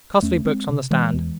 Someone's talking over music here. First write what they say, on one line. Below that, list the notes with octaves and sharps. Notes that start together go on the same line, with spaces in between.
Costly books on the stand.
E2 A3 C#4
G#3 C4
C3
E3 G#3
E2